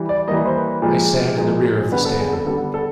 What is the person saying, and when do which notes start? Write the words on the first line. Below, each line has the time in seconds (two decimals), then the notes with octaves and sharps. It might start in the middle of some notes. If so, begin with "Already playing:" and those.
I sat in the rear of the stand.
Already playing: E3 G3
0.09 D5
0.27 E3 G3 A#3 D#5
0.45 C5
0.55 B4
0.82 A#2 F3 G#3
1.37 A#2 F3 G#3
1.92 D3 G3 B3 B4
2.05 A4
2.19 G#4
2.33 A4
2.46 D3 G3 B3 A4
2.74 A4